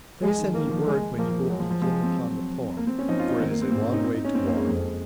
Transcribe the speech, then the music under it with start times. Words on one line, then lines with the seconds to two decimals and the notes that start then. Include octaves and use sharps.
Pray send me word when you will begin upon the poem, for it is a long way to walk.
0.22 F3 G#3
0.39 D#3
0.54 D#3 A#3
0.65 D#3
0.71 F3
0.86 G#3
1.18 F3 A#3
1.28 F3
1.39 G#3
1.50 F#3 G#3
1.60 F3
1.71 F3
1.82 F3 G#3
1.92 G#3
2.03 C4
2.14 F#3
2.77 A#3
2.87 C4
2.99 C#4
3.09 F3 D#4
3.19 F4
3.29 D#4
3.40 D#3 C4
3.51 A#3
3.62 C4
3.72 G#2 C4
3.82 C#4
3.93 D#4
3.99 A#3
4.04 C4
4.14 D#4
4.25 C#4
4.35 F#2 C4
4.46 A#3
4.56 G#3
4.63 A#3
4.67 F2 G#3